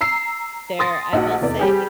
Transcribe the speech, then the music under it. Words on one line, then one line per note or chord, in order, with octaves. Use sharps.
There I will say
A#5 E6 C7
C6 D#6 A6 A#6
A#1 D#4 F#4 F#5
F1 E2 D5
G3 G4 G#4